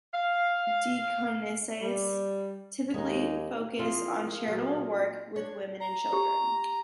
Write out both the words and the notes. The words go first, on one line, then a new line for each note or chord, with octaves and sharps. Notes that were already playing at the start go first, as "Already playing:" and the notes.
Deaconesses typically focused on charitable work with women and children.
F5
G3
D#2 G#3 D#4
F3 C4 E4 F4 G#4 A#4 F5
A#2 F#3 F#4
D4 C#5
A#5
G4